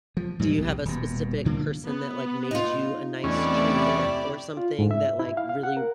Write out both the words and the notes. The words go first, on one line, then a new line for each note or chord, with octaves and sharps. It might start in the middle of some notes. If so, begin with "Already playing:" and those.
Do you have a specific person that, like, made you a nice trinket or something that, like, really
F3
G#2 E3 F#3 G3
B1 E2 C3
D#1 B2
D2 D3 A3 A#3
B3
D#4 F4
E2 C3 A3 C#4 E4 G4 D5
F4
G#2
E5
E4
F5
F5
F#5
A#4